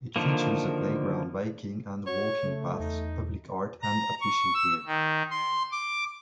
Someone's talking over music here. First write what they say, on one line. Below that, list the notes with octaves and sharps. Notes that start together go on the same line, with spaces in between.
It features a playground, biking and walking paths, public art, and a fishing pier.
D3 D#3 F3 A#3
F#4 C#5
C#3 A3
E2 D#4
A#5
C#6
E6
D#3
C6
D6